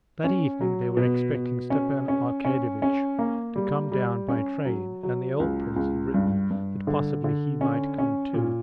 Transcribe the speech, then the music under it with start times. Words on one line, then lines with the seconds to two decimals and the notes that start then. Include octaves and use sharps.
That evening they were expecting Stepan Arkadyevitch to come down by train, and the old prince had written that possibly he might come too.
0.24 C#4
0.61 F#3
0.97 B2
1.34 B2
1.70 C#4
2.08 C#4
2.45 C#4
2.82 C#4
3.19 A#3
3.56 G3
3.92 G3
4.28 C#4
4.65 F#3
5.03 F#3
5.40 C#2
5.76 C#2
6.14 G2
6.51 G2
6.87 D3
7.24 D3
7.61 C#4
7.98 C#4
8.34 A#2